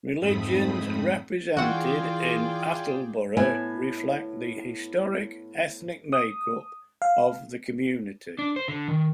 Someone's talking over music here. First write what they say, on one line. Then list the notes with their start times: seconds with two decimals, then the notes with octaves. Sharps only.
Religions represented in Attleboro reflect the historic ethnic makeup of the community.
0.19 F2 G#2 A3 C4 B5 D#6
1.57 E3 F4 F#4 G#4 D5 F#5 G5
3.37 A2 B3 E5 G#5
6.13 D#6
7.02 F5
8.39 D4
8.56 C5
8.68 D3
8.88 D#3